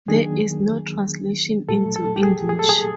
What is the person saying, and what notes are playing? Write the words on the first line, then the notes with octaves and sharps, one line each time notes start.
There is no translation into English.
D#3 F#3 A#3 D4 G#4
A#2 F#3 A3 A4
A4
G4
G#4
G#4
A4
G#4